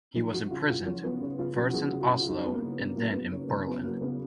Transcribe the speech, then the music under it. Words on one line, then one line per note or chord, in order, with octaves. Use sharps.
He was imprisoned, first in Oslo and then in Berlin.
F3 D#4
F3 F#4
C#3 F4
C#3 F4
F3 C#4
F3 B3
C#3 C#4
C#3 F4
F3 F#4
F3 G#4
C#3
F#4
C#3
F4
F#3 D#4
C#4
F#3 B3
A#3
C#3
C#3 B3
F#3 A#3
F#3 B3
C#3 C#4
C#3 C#4
F#3 B3
F#3 A#3
C#3 B3